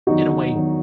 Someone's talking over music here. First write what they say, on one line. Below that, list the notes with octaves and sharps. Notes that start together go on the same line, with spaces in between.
in a way,
E2 D#3 F#3 D#4 F#4
E2 D#3 F#3